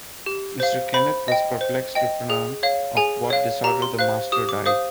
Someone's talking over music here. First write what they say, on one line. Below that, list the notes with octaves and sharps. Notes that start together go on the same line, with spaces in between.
Mr. Kenneth was perplexed to pronounce of what disorder the master died.
G4
C5 F5
C5 B5
D#5 G5
C5
D#5 G5
G#4
C#5 F5
G#4 G#5
C#5 F5
G4 A#5
C6
C5 F5 F#6
G4 D#6
D6
C5 F5 D#6